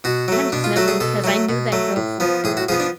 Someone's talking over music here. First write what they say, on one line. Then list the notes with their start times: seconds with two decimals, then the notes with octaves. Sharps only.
kinda just never kn 'Cause I knew that girl for
0.04 B2 F#4
0.28 F#3 A3
0.52 B2 D4
0.64 F4
0.76 F#3 A3 F#4
0.88 G#4
1.00 B2 A4
1.24 F#3 A3
1.49 B2
1.72 F#3 A3
1.96 A2
2.20 F3 B3
2.44 A2 G#4
2.57 F#4
2.69 F3 B3 G#4
2.80 D4